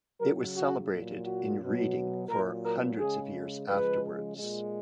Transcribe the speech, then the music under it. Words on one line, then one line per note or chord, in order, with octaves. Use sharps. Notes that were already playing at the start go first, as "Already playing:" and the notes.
It was celebrated in Reading for hundreds of years afterwards.
C#3 F#3 A#4
F#4
A#2 F#3
F#4
B2 F#3
A#2 F#3 A#4
A#4
C#3 G#3 G#4
C#3 F3 G#3 B4
A#2 G#3